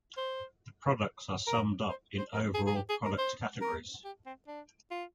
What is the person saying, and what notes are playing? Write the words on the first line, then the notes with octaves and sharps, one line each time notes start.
The products are summed up in overall product categories.
C5
A#4
C5
C5
A#4
G#4
G#4
G4
G#4
A#4
C5
A#4
G4
C4
D4
F4